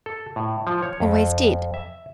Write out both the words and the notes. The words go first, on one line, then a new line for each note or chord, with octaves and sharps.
Always did.
A4
A2
F3
C#5
F2
E5